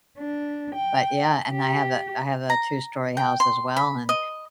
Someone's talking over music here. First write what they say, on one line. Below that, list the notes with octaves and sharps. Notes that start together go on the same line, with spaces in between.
but, yeah, and I have a I have a two-story house as well, and
D4
G5
G4
A#5
G5
C6
B5
D#5